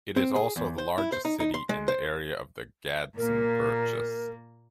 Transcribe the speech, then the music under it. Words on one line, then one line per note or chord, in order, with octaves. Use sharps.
It is also the largest city in the area of the Gadsden Purchase.
C4
G#4
E2
C5
E4
C5
D#4
D#4
C6
G#3
C5
A#2 A#3 A#4